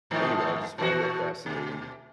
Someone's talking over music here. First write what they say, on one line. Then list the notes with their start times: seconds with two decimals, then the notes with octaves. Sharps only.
anyway, I just find that fascinating.
0.11 G#2 D#3 F3
0.78 A#2 E3 F#4
1.46 B2